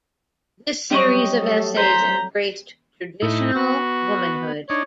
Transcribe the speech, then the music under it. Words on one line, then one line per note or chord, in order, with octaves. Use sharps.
This series of essays embraced traditional womanhood.
F#3 G3 C4 G4 D#5 C#6
A3 A4
C5 A#5 G6 B6
A2 D#4 E4
B3 F#4
D4 D#4 C#5